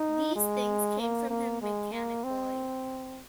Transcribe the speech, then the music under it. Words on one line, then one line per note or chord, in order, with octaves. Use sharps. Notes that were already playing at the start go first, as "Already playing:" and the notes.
These things came from him mechanically.
Already playing: D#4
G#3
A#3
A#3
G#3
A#3
C4